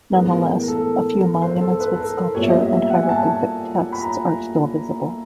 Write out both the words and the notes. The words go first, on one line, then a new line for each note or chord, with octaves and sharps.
Nonetheless, a few monuments with sculpture and hieroglyphic texts are still visible.
A2 E3 G#3 B3 A#4
A#4
A4
A#4
C5
A4
B4
A#4
A4
A#4
A#2 G3 B3 C#5
E5
D#5
E5
E5
F#5
G#5
A5
A5
B5
A#5